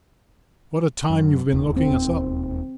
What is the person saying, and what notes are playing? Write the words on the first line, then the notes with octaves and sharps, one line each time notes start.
"What a time you've been looking us up."
F#2
E1 D#2 D#3
C4